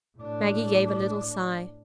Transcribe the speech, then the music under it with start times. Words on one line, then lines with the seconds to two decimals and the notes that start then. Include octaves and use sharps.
Maggie gave a little sigh.
0.18 A2 D4